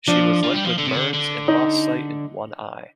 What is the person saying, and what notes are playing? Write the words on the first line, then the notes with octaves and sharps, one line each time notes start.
She was left with burns and lost sight in one eye.
F3 D4
F3
G3
F3
D3
C3
D3
D3
D#4